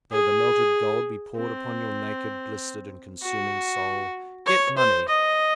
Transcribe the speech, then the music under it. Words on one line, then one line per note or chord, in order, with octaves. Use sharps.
Though the melted gold be poured upon your naked, blistered, and consuming soul--get money!
G#4
C4
F#4
C#5
C5
D#5